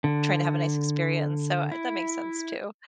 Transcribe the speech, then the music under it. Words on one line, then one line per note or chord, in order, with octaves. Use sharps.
tryna have a nice experience, so, uh, that makes sense too.
D3
E4